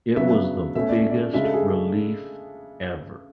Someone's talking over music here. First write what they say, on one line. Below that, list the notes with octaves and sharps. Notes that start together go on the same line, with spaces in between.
It was the biggest relief ever.
C#3 F#3 B3 D4 E5
B2 A3 C#4 E5
D5
E5
D5
C#3 G#3 D4 E5
A4
G#4